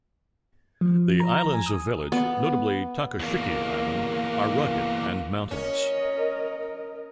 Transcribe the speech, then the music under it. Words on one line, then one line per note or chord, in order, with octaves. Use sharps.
The islands of village, notably Tokashiki Island, are rugged and mountainous.
F3
A#5
G#5
D#6
B3
E2 A#3
C#4 A#4 D#5